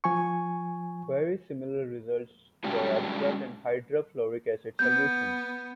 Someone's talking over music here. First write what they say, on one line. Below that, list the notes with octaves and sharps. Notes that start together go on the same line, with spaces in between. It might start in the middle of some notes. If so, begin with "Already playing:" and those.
Very similar results were observed in hydrofluoric acid solutions.
F3 G#5 C#6
G3 G#3 C#4 D4 F#4 G4
B3 G6